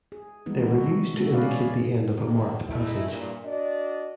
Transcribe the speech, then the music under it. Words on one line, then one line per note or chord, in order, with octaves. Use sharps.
They were used to indicate the end of a marked passage.
G#4
E3 G3 G#3 B3 D#4
F#4 A4
D#3
B2 G#3 A3 F#4 A4
C#4 G#4 B4 D5 F5
D3 D#3
G#3 A3 D#4 E4
G2 A#2
D4 F#4 D5 D#5